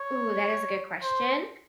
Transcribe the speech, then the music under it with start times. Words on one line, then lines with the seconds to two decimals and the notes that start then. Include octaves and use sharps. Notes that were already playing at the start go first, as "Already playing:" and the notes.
Ooh, that is a good question.
Already playing: C#5
1.02 C5